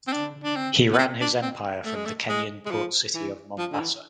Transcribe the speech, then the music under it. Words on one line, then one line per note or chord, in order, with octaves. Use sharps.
He ran his empire from the Kenyan port city of Mombasa.
C4
D4
D4
C4
B3
C4
D4
C4
A3
G#3
A3
G#3
G#3
F3
E3
F3
D3
E3